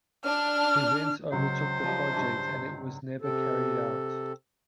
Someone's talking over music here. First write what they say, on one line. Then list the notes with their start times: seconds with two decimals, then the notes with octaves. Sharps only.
Events overtook the project and it was never carried out.
0.24 D4 F6
1.32 C#2 F#3 C5
1.84 F3 G3 D#4
2.12 G2 D4 E4
3.22 C3 A4